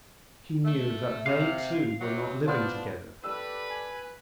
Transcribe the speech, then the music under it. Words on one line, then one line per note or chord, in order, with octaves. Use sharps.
He knew that they two were not living together.
A3
C3 F5
C3 F#3
B3 D4 F4 C5
G4 A4 B4 D5 E6
G#5